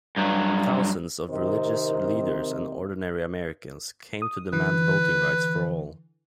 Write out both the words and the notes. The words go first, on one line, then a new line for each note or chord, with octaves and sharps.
Thousands of religious leaders and ordinary Americans came to demand voting rights for all.
G2 F#3
C3 D#3 C4 A#4 C5 D#5
D#6
D3 E3 B4